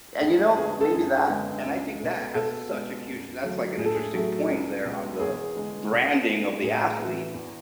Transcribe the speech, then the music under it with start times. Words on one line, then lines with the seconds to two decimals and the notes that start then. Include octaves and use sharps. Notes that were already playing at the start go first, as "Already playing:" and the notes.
And, you know, maybe that and I think that has such a huge that's, like, an interesting point there on the branding of the athlete.
0.21 D2 G#4
0.56 D3 G#3 B3 G#4
0.81 A4
0.92 F#2 G#4
1.28 D3 G#3 B3
1.64 C#2
2.00 B2 A3
2.35 B2 A4
2.71 G#3 B3
3.06 F#2
3.42 D3 F#3 A3
3.77 A2 G#4
3.86 A4
3.94 G#4
4.13 F#3 A3
4.49 C#2
4.84 B2 G#3
5.20 E2 G#4
5.56 D3 G#3
5.92 B2
6.28 A3
6.62 A2 G#4
6.99 E3 B3
7.34 E2